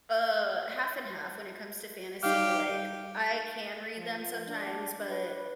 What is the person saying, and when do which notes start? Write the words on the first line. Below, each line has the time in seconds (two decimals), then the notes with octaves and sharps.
uh, half and half when it comes to fantasy, like, I can read them sometimes, but
2.23 G3 D#4 G4 F5 F6
3.97 F3
4.48 D4
5.10 B4